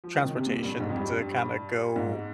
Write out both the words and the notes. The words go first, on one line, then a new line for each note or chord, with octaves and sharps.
transportation to kinda go
F3
D#3
C#3
C3
A#2
G2
G#2
F2
G2
G#2